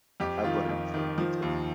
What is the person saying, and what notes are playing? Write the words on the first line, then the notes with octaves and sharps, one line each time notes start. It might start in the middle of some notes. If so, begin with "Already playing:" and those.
Aborym from Italy.
F2 G4
D#3 F4
F2
D#3
F3
D#2